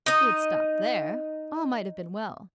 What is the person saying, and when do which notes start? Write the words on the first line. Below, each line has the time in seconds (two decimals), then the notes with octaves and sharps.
If you had stopped there, all might have been well.
0.06 D#4 D#5